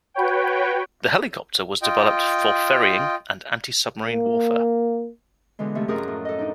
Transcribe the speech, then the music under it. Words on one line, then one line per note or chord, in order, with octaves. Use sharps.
The helicopter was developed for ferrying and anti-submarine warfare.
F#4 B4 C#5 G5
F4 D#5 G5
A#3
B2 D3 E3 G#3
C3 F3 A3
F#2 F3 G#4 A#4 D#6 F#6
A2
A4 D#5
D4 D#4